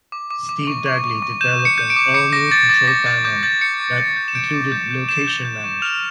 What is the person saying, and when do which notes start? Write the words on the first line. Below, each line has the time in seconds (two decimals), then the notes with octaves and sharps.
Steve Dagley developed an all-new control panel that included location management.
0.12 D6
0.30 D6
0.49 D6
0.67 C#6
0.86 C#6
1.04 C#6
1.22 C#6
1.41 G6 E7
1.59 G6
1.65 C#7
1.78 G6
1.90 D7
1.96 D6
2.14 D6 C#7
2.33 D6 A#6
2.51 D6 A6
2.69 D6 A6
2.88 D6 A#6
3.06 G6 A6
3.25 D6 G6
3.43 G6 A6
3.61 G6 C#7
3.80 C#6
3.98 G6
4.16 G6
4.28 E7
4.35 G6 D7
4.53 D6
4.72 G6
4.91 G6
5.09 G6 E7
5.27 G6
5.45 G6
5.64 C#6
5.82 F6 F7